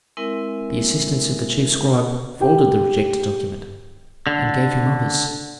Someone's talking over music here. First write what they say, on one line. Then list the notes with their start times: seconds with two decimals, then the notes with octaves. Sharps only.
The assistants of the chief scribe folded the rejected document, and gave him others.
0.17 G#3 C4 E4 A#4 E5 G#5
2.40 G4 G5
4.27 D3